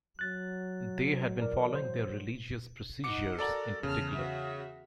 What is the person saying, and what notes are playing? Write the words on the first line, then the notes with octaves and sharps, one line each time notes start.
They had been following their religious procedures in particular.
F#3 F#6 A6
E3 F#3 A#4 D5
C5
D#4 D#5 F#5 D6 C#7
F#4 A4 A#4 D5 A#5
E2 C#3 A5 F6
F#4 E5